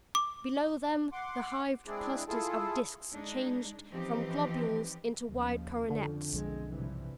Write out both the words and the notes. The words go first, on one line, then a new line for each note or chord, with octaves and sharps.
Below them the hived clusters of disks changed from globules into wide coronets.
D6
F#5 C6 D6
G#3 C4 D4 E4 G#4 D5
E4 F4 G#4 A4 A5
G#3 D4 D#4
E3 F3 C4 D#4 G4 B4
D#2 C#3 F3
F2 D3
B1 F3 G#3 C4
G2 C3 E3